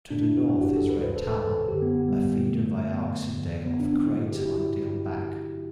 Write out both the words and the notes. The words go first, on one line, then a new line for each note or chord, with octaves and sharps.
To the north is Red Tarn, a feeder via Oxendale of Great Langdale Beck.
F#2 D3 F#3 D4
E4
F#4
F#4
G4
A4
D2 C3 E3 B4
C5
A4
A4
F#2 D3 F#3 G4
B3
B3
G3
F#2 D3 F#3 A3
B3
E2 D3 F#3
B3
D4
C4
G2 D3 F#3 E4
F#4
G4
E4